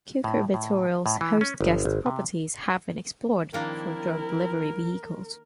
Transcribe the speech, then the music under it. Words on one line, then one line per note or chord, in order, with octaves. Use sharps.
Cucurbituril's host-guest properties have been explored for drug delivery vehicles.
A2
A2
A2
E3
C#4
G1
G#1
C3
D#3 F3 A#3 C4 D4 E4 A#4